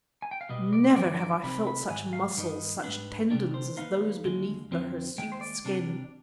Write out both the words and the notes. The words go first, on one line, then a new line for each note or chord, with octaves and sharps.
Never have I felt such muscles, such tendons, as those beneath the hirsute skin!
G#5
G5
F5
B2 G3 B3 D#5
D5
C5
G2 D3 F3 G#3 D4 D5
D5
C2 C3 D#3 G3 C4 B5
B5
G#2 D#3 G3 G#5
F5
G2 D#3 B3 D#4
G#2 G3 B3 D4
C3 G3 D4 D5
C5
D#2 D#3 B3 D#4 F5
D#2 D3 G#3
F2 D3 F3 C4
D#2 D#3 G#3 G5
C5
D5
C3 G3 D4